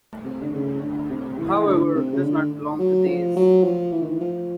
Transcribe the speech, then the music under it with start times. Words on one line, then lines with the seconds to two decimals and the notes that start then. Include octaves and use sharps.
However, does not belong to these.
0.24 C3
0.42 D3
0.53 C#3
0.80 D3
1.10 C3
1.38 E3
1.66 D3
1.95 C3
2.14 C#3
2.23 D3
2.79 F#3
3.07 F3
3.36 F#3
3.64 F3
3.92 E3
4.02 D#3
4.09 E3
4.20 F3